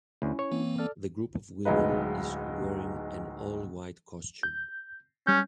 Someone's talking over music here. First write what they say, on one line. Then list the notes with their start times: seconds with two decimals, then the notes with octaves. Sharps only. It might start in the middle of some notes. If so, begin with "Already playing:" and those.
The group of women is wearing an all white costume.
0.22 D2 C#4 E4
0.39 C#5
0.51 E3 A#3 C4
0.78 A4 D5 F6
1.65 D1 B1 G#3 D#4 B4
4.43 G6
5.27 G3 C#4 G6